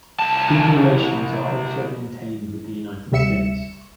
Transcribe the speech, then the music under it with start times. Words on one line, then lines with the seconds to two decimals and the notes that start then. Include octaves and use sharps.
Good relations are also maintained with the United States.
0.19 C2 A5
3.12 D2 C3 G3 E5 C#7 E7